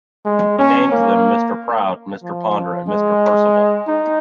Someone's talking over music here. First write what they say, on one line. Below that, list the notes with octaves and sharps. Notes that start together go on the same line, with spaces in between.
He names them Mr Proud, Mr Ponder and Mr Percival.
G#3
C#4
A#3
F3
G#3
D#4